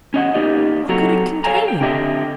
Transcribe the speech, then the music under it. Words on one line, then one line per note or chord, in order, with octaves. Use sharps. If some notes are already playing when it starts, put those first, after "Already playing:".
What could it contain?
C#4 D#5 F#5
A#3 D#4 G4 D5 D#5
F#3 C4 F#4 A4 F#5 A#5
A4 C#5 F5 G#5 A#5
G5
D3 C4 G4 D#5 E5 G5